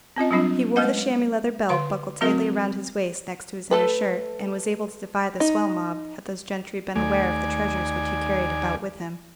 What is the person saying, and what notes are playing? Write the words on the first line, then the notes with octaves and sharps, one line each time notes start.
He wore the chamois-leather belt buckled tightly round his waist next to his inner shirt, and was able to defy the swell-mob, had those gentry been aware of the treasures which he carried about with him.
C4 C#4 F4 D#5
F#3 G3 C4 D4 F4
G#3 A3 C#4 B4 D#5 F#5
D3 F5 C6
F#3 A3 C4 F#4 A#4 E5
A3 A4 B4
D#4
D#2 A3 D5 G#5